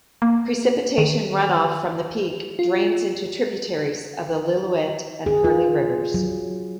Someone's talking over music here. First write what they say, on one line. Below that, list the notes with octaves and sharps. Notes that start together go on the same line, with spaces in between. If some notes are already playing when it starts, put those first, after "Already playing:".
Precipitation runoff from the peak drains into tributaries of the Lillooet and Hurley Rivers.
A#3
D#3
F4
G#4
F4
F#3